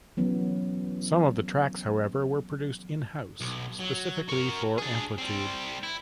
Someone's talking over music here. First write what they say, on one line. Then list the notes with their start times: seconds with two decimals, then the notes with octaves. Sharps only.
Some of the tracks, however, were produced "in-house" specifically for "Amplitude".
0.17 E3 F#3 B3 C#4
3.41 B1
3.80 F#3
4.29 F#4 A#4
4.78 D4 G#4
5.18 G3 C4
5.83 E4